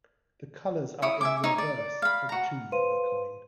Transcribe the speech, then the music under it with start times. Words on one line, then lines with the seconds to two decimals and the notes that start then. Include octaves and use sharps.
The colours are in the reverse for the two euro coin.
1.02 E4 C#5 D#6
1.21 E5 G#5 D6
1.44 D#4 C#5
1.58 D5
2.02 F5 B5
2.29 F#4 A#5
2.72 B4 C5 F5 C6 D#7